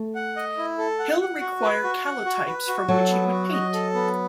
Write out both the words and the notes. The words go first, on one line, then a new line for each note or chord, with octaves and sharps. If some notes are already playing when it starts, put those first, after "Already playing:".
Hill required calotypes from which he would paint.
Already playing: A3
F#5
D#5
E4
A4
F#5
F#5
F#4
B4
F#4
F#5
F#4
B4
F#4
F#3 A4
B3
F#4
D#5
A4
B3